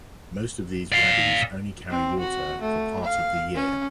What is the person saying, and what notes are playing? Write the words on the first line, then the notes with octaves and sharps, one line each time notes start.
Most of these wadis only carry water for part of the year.
D5 F5
C4
F#4
A3
F5
C#4